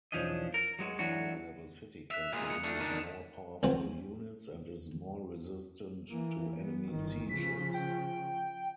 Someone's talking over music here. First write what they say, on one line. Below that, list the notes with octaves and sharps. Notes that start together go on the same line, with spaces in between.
A higher-level city can produce more powerful units and is more-resistant to enemy sieges.
B1 E2 F3 C#4 D4 D#5
A#4
F#3 G#3 F#4
E3 F#3 D4 F#4
E5 F#6 B6 F7
A#2 G#3
C#7
A3 D4
D#3 D4
C#2 F3 F#3 C4
E3 A#3
B3
G1 D#3
C#3 F3 B6
G5